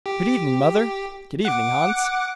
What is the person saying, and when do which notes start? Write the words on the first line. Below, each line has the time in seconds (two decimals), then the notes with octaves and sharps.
'Good evening, mother.' 'Good evening, Hans.
0.06 G4
1.45 F#5 D6